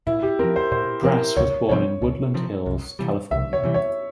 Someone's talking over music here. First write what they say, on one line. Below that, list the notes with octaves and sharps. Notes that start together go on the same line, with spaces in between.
Brass was born in Woodland Hills, California.
A#2 E4
G4
F3 C4 A#4
C5
A#2 C5
F3 C4 A#4
C#2 C#5
C3 F3 C4 C#5
C#2
C3 F3 C4
C2
C3 E3 G3
C2 E5
C#5
C3 E3 G3
C#5